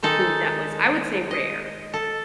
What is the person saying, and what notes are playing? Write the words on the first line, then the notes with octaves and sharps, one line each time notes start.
food that was, I would say, rare.
D#3 G#3 D#4 A4
D#5
A4